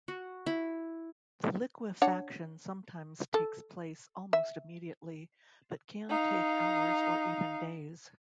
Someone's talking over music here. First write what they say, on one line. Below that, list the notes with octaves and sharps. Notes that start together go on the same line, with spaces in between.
The liquefaction sometimes takes place almost immediately, but can take hours or even days.
F#4
E4
D4 C#5 F#5
A4
E5
D#4 F5